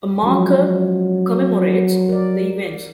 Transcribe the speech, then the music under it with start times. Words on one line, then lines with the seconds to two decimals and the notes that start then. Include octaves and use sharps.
A marker commemorates the event.
0.23 F3 F#3 G#3 C#4
2.09 A#4 D5